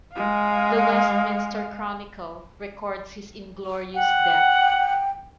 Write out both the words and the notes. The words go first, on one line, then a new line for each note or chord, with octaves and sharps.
The Westminster Chronicle records his inglorious death.
G#3 F5
F#5 G5